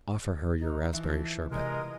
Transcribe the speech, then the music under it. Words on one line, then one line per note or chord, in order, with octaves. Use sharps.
Offer her your raspberry sherbet.
D#4
E3 F3 E5
C3 G#3 A#4 D#5